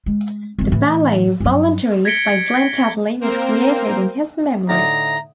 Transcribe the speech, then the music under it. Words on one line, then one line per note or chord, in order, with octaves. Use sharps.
The ballet "Voluntaries" by Glen Tetley was created in his memory.
G#3
G#1 E3
A2 E3
G2 F#3
G#6 A#6 B6 C#7 D7 G7
A#3 C4 A#4 C5
A2 D3 D#4 A#5